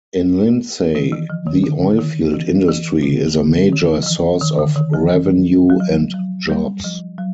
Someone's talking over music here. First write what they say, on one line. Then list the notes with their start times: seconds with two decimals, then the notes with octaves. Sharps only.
In Lindsay, the oilfield industry is a major source of revenue and jobs.
0.95 D#3
1.12 E3
1.30 F3
1.47 D#3
1.64 D3
1.99 D#3
2.34 E3
2.68 E3
3.03 D3
3.38 D3
3.73 D#3
4.03 F3
4.06 E3
4.41 D#3
4.59 D3
4.76 D#3
4.94 F3
5.11 E3
5.70 F#3
5.80 F3
6.14 F#3
6.50 G3
6.84 F3
7.18 F#3